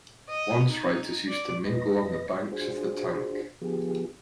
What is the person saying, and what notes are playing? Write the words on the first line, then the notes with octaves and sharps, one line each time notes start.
Once writers used to mingle on the banks of the tank.
D#5
D#4
D5
F2 B4 D#5 A#6
D4 F4 F#4 G#4 C5
D3 F3 B3 F4 G4 G#4